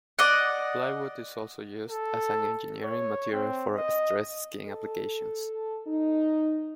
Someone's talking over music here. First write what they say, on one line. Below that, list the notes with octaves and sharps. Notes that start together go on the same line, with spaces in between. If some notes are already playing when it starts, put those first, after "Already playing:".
Plywood is also used as an engineering material for stressed-skin applications.
D5 D#5 F#5
A4
C#5
C4
D#5
A4
D#4